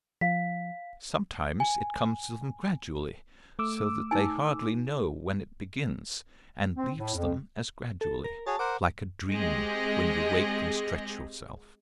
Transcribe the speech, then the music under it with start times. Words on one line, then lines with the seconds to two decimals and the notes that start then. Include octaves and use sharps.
Sometimes it comes to them gradually so that they hardly know when it begins, and leaves them as gradually, like a dream when you wake and stretch yourself.
0.21 F3 F5 B6
1.60 G#5
3.59 A3 D6 E6
4.11 D#4 G#5
6.77 C4
6.98 A2
7.14 F2
8.01 A4
8.24 A#4
8.47 F#4 G#4 C#5 A5
8.59 A#4 C5 F#5 D6
9.30 G#3 C4 G4 G#4 D#5